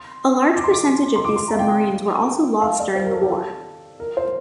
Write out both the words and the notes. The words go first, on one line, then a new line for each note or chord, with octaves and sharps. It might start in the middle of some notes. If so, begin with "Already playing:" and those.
A large percentage of these submarines were also lost during the war.
Already playing: C6
D6
C6
D6
C6
D6
C6
A#5
F5
G5
F5
D5
C5
A#4
A4
G4
A4
A#4
C5